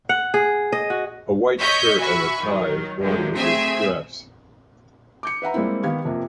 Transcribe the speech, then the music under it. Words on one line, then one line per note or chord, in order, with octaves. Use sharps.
A white shirt and a tie is worn with this dress.
F#5
G#4
D#5
F#4
C#5 D#5 E5 C#6 G6 B6
F#4 E5 G#5 B5 C#6
D#3 F#3
F#2 D3 F3 G#3
A3 C4 G#4 E5 G#5
D6 G6 C#7
B4 E5 F#5 A#5
G3 G#3 A#3 C4 E4
D#3 B3 G4 F5 G#6
F2 C3 A#3